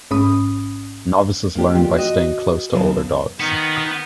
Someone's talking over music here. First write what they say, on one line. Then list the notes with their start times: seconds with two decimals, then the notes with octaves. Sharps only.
Novices learn by staying close to older dogs.
0.11 A1 G#2 C#4 B5 D#6
1.55 A#3 D4 G4
1.75 F2 A#3 B3 F4 G4
1.94 F#4 D#5
2.72 F#2 C#3 B3 G#4 F5 A5
3.40 D#3 B3